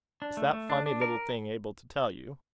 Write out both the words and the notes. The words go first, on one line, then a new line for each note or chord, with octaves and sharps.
"Is that funny little thing able to tell you?"
D4
A3
A3
D4
D4
A#4